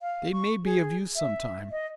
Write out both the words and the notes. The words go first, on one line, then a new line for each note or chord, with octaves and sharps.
They may be of use some time.
F5
C#6
G#4
E5
D#5